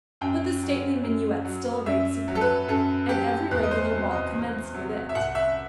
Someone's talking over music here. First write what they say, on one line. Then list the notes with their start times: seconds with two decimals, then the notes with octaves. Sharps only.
But the stately minuet still reigned supreme; and every regular ball commenced with it.
0.21 F#2 G5
0.63 F#3
1.03 F#2
1.45 F#3
1.86 F#2 E5
2.28 F#3
2.35 A4
2.41 B4
2.68 F#2 A4
3.09 F#3 G4
3.51 E2 B4
3.63 D#5
3.71 C5
3.92 C3 F#3
4.12 D#5
4.33 E2
4.73 C3 F#3
5.09 E5
5.15 C2 F#5
5.35 E5